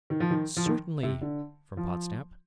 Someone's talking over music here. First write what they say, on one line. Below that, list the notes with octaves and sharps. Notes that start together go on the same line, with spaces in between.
'Certainly!' From Podsnap.
D#3
F3
D#3
F3
D#3
C3
D3
F3